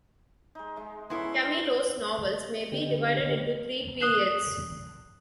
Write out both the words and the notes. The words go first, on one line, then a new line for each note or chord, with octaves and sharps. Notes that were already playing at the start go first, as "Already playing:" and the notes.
Camilo's novels may be divided into three periods.
G#3 D#4
G#3 D#4 E5
B3 C#4 E4 A4 G#5 C6
D#5
D3 B3 G4
D#5
D#6 F#6 C7 E7